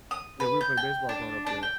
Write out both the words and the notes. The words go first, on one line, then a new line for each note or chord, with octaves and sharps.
yeah, we would play baseball growing up there,
D#6
B4
G6
G5
D4
D4
G5